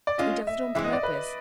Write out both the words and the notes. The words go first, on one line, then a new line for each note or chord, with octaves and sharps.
He does it on purpose.
D5
G#3 C#4 F4 D#5
E5
E3 G#3 C4 E4 E5
D#5
D5
B4